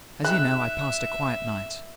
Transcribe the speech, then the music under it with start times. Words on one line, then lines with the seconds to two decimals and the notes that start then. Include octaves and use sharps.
As you know, I passed a quiet night.
0.24 G#3 C4 D#4 E5 F#6